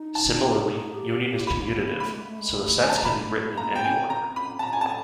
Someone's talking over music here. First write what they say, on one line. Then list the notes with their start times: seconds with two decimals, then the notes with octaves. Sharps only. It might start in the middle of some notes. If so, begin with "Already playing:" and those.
Similarly, union is commutative, so the sets can be written in any order.
Already playing: D#4
0.15 A5
0.42 G4 A#5
0.60 G#4
0.77 G#4
0.95 G4
1.21 G4
1.40 E4
1.47 F4 B5
1.61 D#4
1.69 C4
1.73 B3
1.87 A#3
2.00 A3 B5
2.13 G#3
2.26 A3
2.39 G#3
2.53 A3
2.82 G#5
2.90 A5
2.97 A#5
3.05 B5
3.51 A3
3.57 A#3 A#5
3.71 B3 G5
3.84 C#4 G#5
3.97 C4
4.10 C4 A#5
4.36 B5
4.59 A5
4.63 A#5
4.73 G#5
4.81 A5